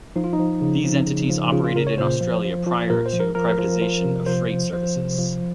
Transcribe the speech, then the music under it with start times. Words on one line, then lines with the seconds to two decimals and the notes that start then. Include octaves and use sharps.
These entities operated in Australia prior to privatisation of freight services.
0.16 F3 D#4
0.24 F4
0.33 D#4
0.39 F3
0.61 C#3
0.84 F3
1.07 C#3
1.30 F3
1.52 C#3 F4
1.64 F4
1.75 C#3 A#4
1.87 C#5
1.98 A#2 C5
2.21 F3
2.45 F3
2.67 F3
2.90 A#2 A#4
3.06 C5
3.13 F3
3.20 A#4
3.35 F3 A#4
3.58 F3
3.81 F3
4.05 C3
4.26 F3 C5
4.50 F3
4.72 F3 C5
4.96 C3
5.19 F3